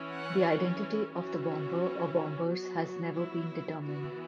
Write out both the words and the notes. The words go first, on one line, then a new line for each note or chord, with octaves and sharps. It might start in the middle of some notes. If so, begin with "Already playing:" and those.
The identity of the bomber or bombers has never been determined.
Already playing: E3 C#4
F#5
E3 C#4 F#4
F#3 B3 F#4
E4
E3 B3 F#4